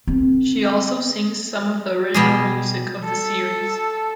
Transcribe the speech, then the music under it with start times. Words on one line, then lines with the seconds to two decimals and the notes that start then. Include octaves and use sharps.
She also sings some of the original music of the series.
0.07 D3 C4
2.14 B2 G3 G#4
3.04 A4